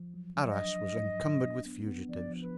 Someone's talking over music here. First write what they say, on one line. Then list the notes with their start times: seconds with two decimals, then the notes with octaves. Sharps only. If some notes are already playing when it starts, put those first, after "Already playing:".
Arras was encumbered with fugitives.
Already playing: F3
0.14 F#3
0.36 F#3
0.46 D#5
0.57 D4
0.79 F#3
1.00 G#2
1.22 F#3
1.45 D4
1.66 B3
1.87 B3
2.09 F3 D5
2.31 F3
2.41 B4